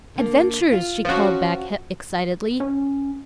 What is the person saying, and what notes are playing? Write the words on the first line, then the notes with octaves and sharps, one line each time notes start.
"Adventures!" she called back excitedly.
D3 A#3
F4
F3 C#4 F#4 C5
C#4